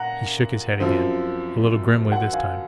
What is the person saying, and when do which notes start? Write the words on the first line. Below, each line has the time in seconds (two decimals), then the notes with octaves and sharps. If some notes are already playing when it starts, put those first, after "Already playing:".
He shook his head again--a little grimly this time.
Already playing: A#2 F#5 A#5
0.80 F#2 F3 C4
2.12 F#5
2.33 F5 G#5